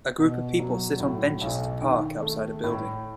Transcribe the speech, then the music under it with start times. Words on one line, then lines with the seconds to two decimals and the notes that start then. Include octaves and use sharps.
A group of people sit on benches at a park outside a building.
0.18 B2
0.59 F#3
1.00 A2
1.41 B1
1.82 D#3
2.22 A3
2.63 A2